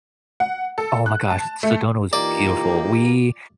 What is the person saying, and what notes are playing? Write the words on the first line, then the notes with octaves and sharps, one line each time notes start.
Oh my gosh, Sedona was beautiful, we
F#5
A4
F#6
A5
A3
E3 A#3 D#4 F4 G4 D5